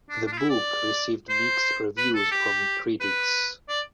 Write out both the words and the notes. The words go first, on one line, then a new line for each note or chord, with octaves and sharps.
The book received mixed reviews from critics.
D4
D4
F4
E4
D5
C5
B4
A4
G4
B4
D5